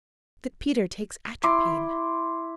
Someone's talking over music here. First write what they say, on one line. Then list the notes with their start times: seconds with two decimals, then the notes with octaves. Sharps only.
'That Peter takes atropine.'
1.43 E4 C6 D6